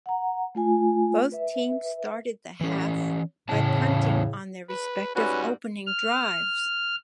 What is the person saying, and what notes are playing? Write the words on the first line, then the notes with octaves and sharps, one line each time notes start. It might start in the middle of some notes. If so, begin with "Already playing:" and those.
Both teams started the half by punting on their respective opening drives.
F#5 A#5
A3 F4 G#5
B4 E5
E3 C#4
E2 A2 C#3 C#4 A5
B4
G#2 G3 C#4 F#4 B4
F6